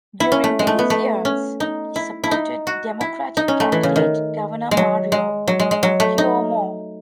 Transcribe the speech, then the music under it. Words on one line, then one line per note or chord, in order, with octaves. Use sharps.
During these years, he supported Democratic candidate Governor Mario Cuomo.
E4
C#4
A3
G#3
A3
B3
A3
C#4
D#4
E4
E4
D#4
F#4
E4
D#4
C#4
A3
E3
C#3
D#3
G#3
F#3
G#3
F#3
G#3
G#3
F#3
A3
D#4